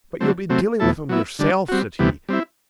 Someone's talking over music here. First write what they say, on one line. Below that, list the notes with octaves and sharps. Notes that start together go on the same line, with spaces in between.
"But you'll be dealing with him yourself!" said he.
D3 F#3 A3 C4
C3 F#3 A3 C4
E2 B2 A3 E4 A4
F#3 B3 E4
D3 G3 D4
G3 C4 F#4
D2 C3 E3 G3 B3
G3 C4 E4